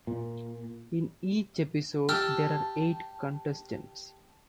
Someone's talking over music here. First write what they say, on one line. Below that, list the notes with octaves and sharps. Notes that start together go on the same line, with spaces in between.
In each episode there are eight contestants.
A#2
G4 A5 E6 F6